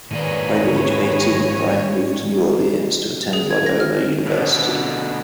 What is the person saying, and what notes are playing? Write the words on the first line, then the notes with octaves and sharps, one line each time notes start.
By the age of eighteen, Brian moved to New Orleans to attend Loyola University.
G#2 D#3 A#3 G#4 B4 C#5 D5
G#4
G#6
A#6
F6
B2 D3